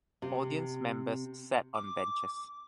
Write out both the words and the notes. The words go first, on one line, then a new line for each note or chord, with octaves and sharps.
Audience members sat on benches.
C3
D6